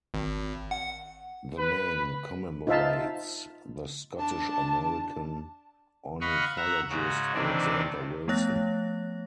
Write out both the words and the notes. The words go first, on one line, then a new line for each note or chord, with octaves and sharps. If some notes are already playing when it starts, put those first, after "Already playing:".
The name commemorates the Scottish-American ornithologist Alexander Wilson.
G#1
F#5
B4
D#4 F4 C5 E5 F5 A5
D4 A5
D#5 F5 F#5 B5 C#6
E5 F#5 A#5
G#2 C#3 F#4
C3 D#3 E3 C4 D4
F3 A3 B3 C#5 F#6 A#6